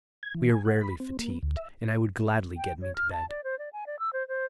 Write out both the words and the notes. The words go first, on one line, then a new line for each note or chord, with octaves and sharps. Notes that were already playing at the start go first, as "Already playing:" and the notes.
We are rarely fatigued, and I would gladly get me to bed.
G#6
E3
G#5
F#5
B5
C4
A#3
B3
D2
E5
G5
C#5
F6
A5
D5
C5
D5
G#5
D5
E6
C5
C5